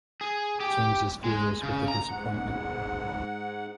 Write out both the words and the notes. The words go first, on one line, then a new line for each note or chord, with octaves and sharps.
James is furious with the disappointment.
G#4
G4
G#3
C#3
A#5
G#2 F#5